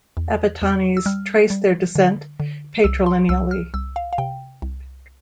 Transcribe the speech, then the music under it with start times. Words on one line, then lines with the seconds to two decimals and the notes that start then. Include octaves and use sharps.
Apatanis trace their descent patrilineally.
0.17 E2
0.62 E2
0.97 E6
1.06 G3 F6
1.50 G3
1.95 D3
2.40 D3
2.84 C2 E6
3.06 C6
3.29 C2 E6
3.51 F6
3.74 C2 E6
3.96 F5
4.13 F5
4.18 C3 G5
4.62 C2